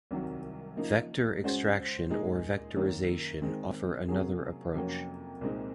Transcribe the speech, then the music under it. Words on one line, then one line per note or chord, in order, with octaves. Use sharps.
Vector extraction or vectorization offer another approach.
C2 C3 D#3 F#3
C#3 F3 A#3 D#4
C#3 G#3 C#4 F#4 C5
A#2 G#3 D#4 G#4
F#2 D#3 A#3 C#4
D#3 G#3 C4
C3 F#3 A#3 C#4 G#4
F2 C3 F#3 A#3 C#4
C2 A#2 G#3 C4 D#4